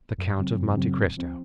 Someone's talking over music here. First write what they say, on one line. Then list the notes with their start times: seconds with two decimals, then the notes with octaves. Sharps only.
"The Count of Monte Cristo."
0.18 F#2
0.38 C#3 F#3 C4
0.58 F#2
0.77 C#3 F#3 C4
0.97 A2
1.17 F3 C4